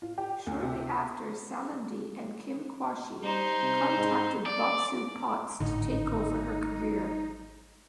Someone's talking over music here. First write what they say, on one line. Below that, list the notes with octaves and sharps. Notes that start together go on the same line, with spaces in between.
Shortly after, Salandy and Kim Quashie contacted Boxu Potts to take over her career.
F4
G4
D2
C3
G3 D#4 C5
C3
G#2
D5
G#1 A2 D3 D#4